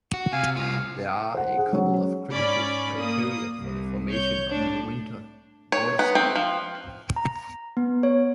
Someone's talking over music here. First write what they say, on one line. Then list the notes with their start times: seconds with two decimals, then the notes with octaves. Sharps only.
There are a couple of critical criteria for the formation of a winter waterspout.
0.14 F#4
0.33 C3 F5 G#5
0.56 C2 F4 F5
1.35 C5 F#5
1.57 G#4 F#5
1.73 F#3 C#4
2.29 G#2 C#4 D5 B5
2.98 A#3 D#6
3.60 C2
4.10 C#5 G6
4.50 A2 D4
5.72 C#5
5.99 B3
6.15 C4
6.36 F3
7.16 A#5
7.77 B3
8.03 C#5